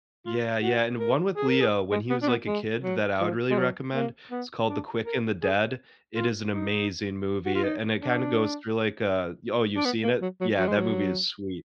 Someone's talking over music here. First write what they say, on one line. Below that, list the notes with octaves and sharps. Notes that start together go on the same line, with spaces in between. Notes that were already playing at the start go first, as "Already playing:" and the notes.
Yeah, yeah. And one with Leo when he was, like, a kid th that I would really recommend, it's called The Quick and the Dead. It is an amazing movie a and it kinda goes through like, uh y oh, you've seen it? Yeah, that movie is sweet.
F4
F#4
A#4
G#4
A#4
G#4
G#3
B3
D4
B3
G#3
F#3
F3
G#3
F#3
A#3
B3
D4
A#4
G#4
F4
D#4
F#4
F4
D#4
D4
D4
B3
A#3
F#3
F#3
F#3
G#3
F#3